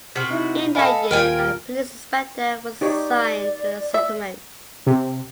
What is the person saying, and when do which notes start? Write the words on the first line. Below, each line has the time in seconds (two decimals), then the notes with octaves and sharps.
In that year a police inspector was assigned to the settlement.
0.15 C3 F#4 F6 B6
0.30 D#4 E4
0.75 A4 D#5 F5 G#5 B5
1.11 D#1 F4 A#4 G5 G#5
2.81 D#4 G4 C#5 D5
3.94 E5
4.87 C3